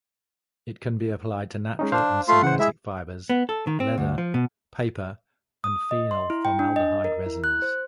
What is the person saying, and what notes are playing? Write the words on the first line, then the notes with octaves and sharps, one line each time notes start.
It can be applied to natural and synthetic fibers, leather, paper, and phenol-formaldehyde resins.
G#3 C#4 D#4
D4 C5 F5
A3 F4 C6
C#3 E3 C5 F#5
G#3 E4 G#4 E5
B3
A4
D#3
C4
D2
F3
B2
D#6
D#5
C6
E4
G5
D4
D#5
A#4
E4
F#6
C5